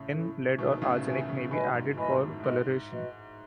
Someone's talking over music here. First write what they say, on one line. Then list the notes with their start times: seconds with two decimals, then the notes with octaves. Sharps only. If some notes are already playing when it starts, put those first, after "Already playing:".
Tin, lead or arsenic may be added for colouration.
Already playing: A2 C#3
0.12 C#4 E4 A4
0.58 B2 D#3 F#4 B4 E5 G#5
0.71 D#3
0.82 A2 C#3
1.05 B2 D#3 F#4 B4 E5 G#5
1.28 C#3 E3
1.51 B2 D#3 B4 D#5 G#5 B5
1.74 G#2 B2
1.97 F#2 A2 B4 D#5 G#5 B5
2.20 G#2
2.40 A2
2.43 G#2 F#4 B4 D#5
2.90 F#4 B4 D#5